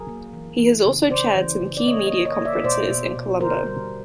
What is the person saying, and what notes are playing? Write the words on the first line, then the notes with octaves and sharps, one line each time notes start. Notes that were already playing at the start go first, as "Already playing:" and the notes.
He has also chaired some key media conferences in Colombo.
Already playing: F#3 G#4 A#4
A#3
E3
E3
C#3
C#3 C5 D5
E3
C#3
D5
A#3 C#5 D#5
C#5 D#5
A#3
C#5 D#5
A#3
D5 E5
B2 C5 D5
B2
B2
D3 A#4 C5
G3